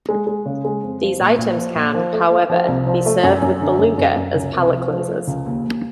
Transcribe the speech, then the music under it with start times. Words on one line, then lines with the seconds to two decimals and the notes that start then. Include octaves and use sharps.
These items can, however, be served with Beluga as palate cleansers.
0.09 G#3
0.27 G#3
0.46 C#3
0.65 G#3
0.83 F2
1.02 F3
1.20 A#1
1.38 A#1
1.57 F3
1.75 A#1
1.94 F3
2.13 A3
2.31 A3
2.50 F3
2.68 C2
2.86 F3
3.06 A3
3.23 F#2
3.42 F#2
3.61 D3
3.79 F#2
3.98 F#2
4.16 F#2
4.35 C#2
4.54 C3
4.72 F3
4.90 F3
5.09 A3
5.27 C#2
5.46 D#2
5.64 D#2